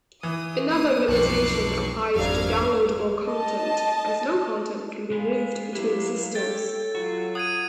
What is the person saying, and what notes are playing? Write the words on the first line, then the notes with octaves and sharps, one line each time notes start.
Another limitation applies to downloadable content, as no content can be moved between systems.
E3 D#6
A#3 D#6
B1 F2 F3 C#6 D6 F#6 C7
G#1 F2 G3 D4 F5 A#5 G#6
D#5 A5
G#3 B3 G#4 F5
F#3 G#3 E4 G4 F5
G4 A4 C#5 A6
F#3 F4 F#4
F#5 D#6 G#6 D#7